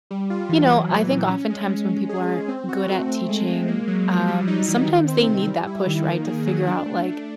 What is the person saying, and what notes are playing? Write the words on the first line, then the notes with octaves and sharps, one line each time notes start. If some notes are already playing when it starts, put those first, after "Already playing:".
you know, I think oftentimes when people aren't good at teaching, um, sometimes they need that push, right, to figure out, like,
G3
F4
E3
F#3
A#2
A#2
C#4
G#3
G#3
C#4
G#4
G#3
C4
F#4
A3
C4
G#3
G#3
A#3
F#3
F#3
G3
D#4
E3
D#3
C4
C3
G3
E4
D#3
A#3
G#4
F#3
D4
A3
A3